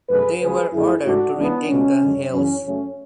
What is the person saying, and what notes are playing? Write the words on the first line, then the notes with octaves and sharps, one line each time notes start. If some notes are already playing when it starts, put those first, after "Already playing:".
They were ordered to retake the hills.
F#2 D3 A3 G#4 B4
C#2 C#3 F#3 G#4 B4
F#2 D3 A3 E4 G#4
G#2 E3 A3 D4 F#4
C#2 C#3 E3 B3 D4
C#2 B2 A3 C#4
F#2 D3 G#3
F#2 C#3 E3 C#4
F#2 C#3 F#3 A3 C#4